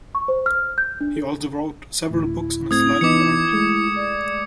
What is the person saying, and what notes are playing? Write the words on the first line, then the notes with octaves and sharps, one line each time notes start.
He also wrote several books on his life and art.
C#6
C5
F6
G6
D4
A4
D2 A2 E4
A2 A3 C4 D#6 G#6
E3 B3 D#4 D6 C#7
G#3 A3
D5